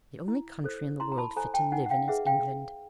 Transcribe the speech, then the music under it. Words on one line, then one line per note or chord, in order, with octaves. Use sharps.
The only country in the world fit to live in is England.
E4
A4 C5
E4 A#5 C6
A#5
A5 B5
A4 C5 G#5 A#5
G5 A5
D#4 F#5 G#5
F#5
F5 G5
G#4 B4 E5 F#5
F5 G5